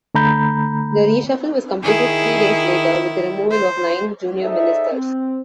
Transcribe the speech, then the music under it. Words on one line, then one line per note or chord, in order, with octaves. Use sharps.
The reshuffle was completed three days later with the removal of nine junior ministers.
D3 A3 A#5 B5 G6
D#3 E4 G#4
C5
D#4 G#4 A4 C5 D5 E5
C4